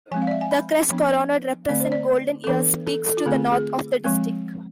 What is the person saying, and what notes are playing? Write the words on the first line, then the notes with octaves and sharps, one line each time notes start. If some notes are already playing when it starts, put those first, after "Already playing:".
The crest coronet represents Golden Ears peaks to the north of the District.
F3 G#3 C4 G#5
F5
D5
E5
G#5
B5
F3 B3 D4
D3 A3 C4 D5
C5
D5
A4
E3 B3 D4 B4
A4
A4
F4
D3 A3 C4 G#4
G#4
F3 G#3 C4